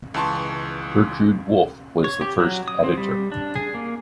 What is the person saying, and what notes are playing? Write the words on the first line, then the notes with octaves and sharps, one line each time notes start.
Gertrude Wolff was the first editor.
C#2 E3 A5 C6 C#6
C#5
G4
F#3
D#6
C4
G3
D4
G#4
A#3